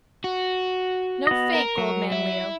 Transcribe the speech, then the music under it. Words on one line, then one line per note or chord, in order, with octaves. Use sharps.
No fake, old man Leo.
F#4
B3 D#5
A#4
F#3
E4